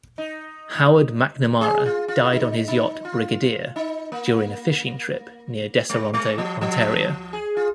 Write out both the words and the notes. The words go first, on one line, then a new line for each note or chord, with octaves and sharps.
Howard McNamara died on his yacht "Brigadier" during a fishing trip near Deseronto, Ontario.
D#4
G#4
F4
F4
D#4
D#4
F4
D#4
A#3
G#3
G#3
F3
F3
G#4
F4